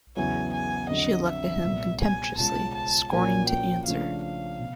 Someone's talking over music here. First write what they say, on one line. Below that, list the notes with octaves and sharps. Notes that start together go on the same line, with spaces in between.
She looked at him contemptuously, scorning to answer.
E2 C#3 F#3 B3 E4 G#5
G#5
F2 D3 F#3 D#5
E5
C2 A#2 G3 B3
G#5
C#2 B2 G#3 C#4 F4 A5
A5
A#2 F3 A#3 C#4 F#4 G#5
G5
C#3 F3 A3 D4 F5
F5
B2